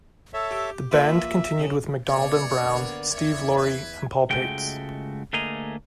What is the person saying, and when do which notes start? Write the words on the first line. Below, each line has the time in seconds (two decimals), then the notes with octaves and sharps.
The band continued with McDonald and Brown, Steve Loree and Paul Paetz.
0.34 A4 C#5 E5
0.51 G4
0.91 A#3 F4 B4 E5
1.60 C#3
2.08 B2 A3 C#5 D5
2.60 D3 A#3 B3
3.13 E2 C#5 E5 G#6
3.57 B4
4.30 C#2 G#3 A3 F#4 G5
5.33 D2 A3 A#3 G#4 D#5 A#5